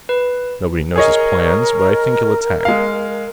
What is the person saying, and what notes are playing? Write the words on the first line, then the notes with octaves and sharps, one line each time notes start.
Nobody knows his plans, but I think he'll attack.
B4
G#4 A#4 C#5 D#5
G#3 F5